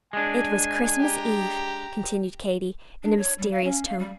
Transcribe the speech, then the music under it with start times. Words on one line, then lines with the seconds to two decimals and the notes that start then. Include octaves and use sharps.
"It was Christmas Eve," continued Katy, in a mysterious tone.
0.13 G#3 D4 G#5
1.00 G4 A#5
3.03 D4
3.18 C#5
3.38 G3
3.51 F5
3.64 C#4
3.87 F5
3.99 G3